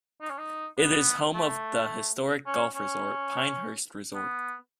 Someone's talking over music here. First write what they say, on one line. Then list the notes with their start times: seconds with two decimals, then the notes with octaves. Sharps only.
It is home of the historic golf resort, Pinehurst Resort.
0.21 D#4
0.30 C#4
0.38 D#4
0.78 B3
1.34 A3
2.47 C#4
2.75 C#4
4.14 B3